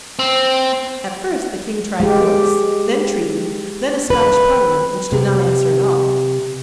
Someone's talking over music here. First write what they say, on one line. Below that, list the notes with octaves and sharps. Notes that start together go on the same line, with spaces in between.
At first the King tried force, then treaty, then a Scottish Parliament which did not answer at all.
C4
G#3 G4
B4
C3